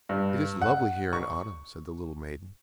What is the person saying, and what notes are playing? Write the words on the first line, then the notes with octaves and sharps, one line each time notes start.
"It is lovely here in autumn!" said the little maiden.
G2
F#5
C#6